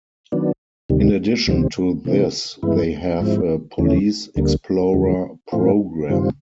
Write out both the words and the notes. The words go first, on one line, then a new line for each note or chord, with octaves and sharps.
In addition to this they have a Police Explorer program.
D#3 F#3 B3 D4
D2 C3 D#3 G3
D2 C3 D#3 G3 C4
C3 E3 A3 C4
G2 E3 G#3 B3 E4
G#2 F3 G#3 C4 E4
D#2 C#3 E3 A3 C#4
D2 D3 G3 A#3
E2 C#3 F3 G#3
A2 E3 A3 C4 F4
G2 D#3 G3 C4 F4